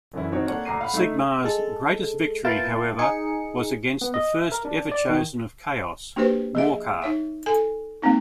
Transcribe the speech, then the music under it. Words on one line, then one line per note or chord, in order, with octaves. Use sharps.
Sigmar's greatest victory however was against the first Everchosen of Chaos, Morkar.
F#2 D3 E3 C#4 E4
D#3 C4 D#4 F#4 C#5
A#3 D4 A4 C#5 F#5
D2 A#5 D6 C7 D#7
F5 F#5 B5
A3 D#4 E5 E6
G#3 A4
A#3 B3 E4 F4 G5 A5
D#4 G#4 C#7
B3
D#5
E5
A#4
D4
D5
D#3
A#3 D4 F#4 G4 B4 C5
F3 G#4 E5
D#4 C#5 E5
A4 G#5
G#3 A#3 C4 D#4